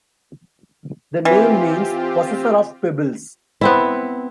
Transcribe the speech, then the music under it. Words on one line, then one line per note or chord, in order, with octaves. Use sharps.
The name means "possessor of pebbles".
E3 C4 F4 G4
B3 C4 E4